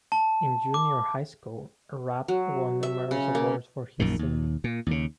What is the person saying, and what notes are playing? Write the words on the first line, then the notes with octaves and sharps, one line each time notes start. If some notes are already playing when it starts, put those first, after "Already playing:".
In junior high school, Rapp won numerous awards for his singing.
A5
D6
F#3
E5
C#3
A#3
A#1 F#2 A#2 D#3
D#2
A#2
D#2 C#3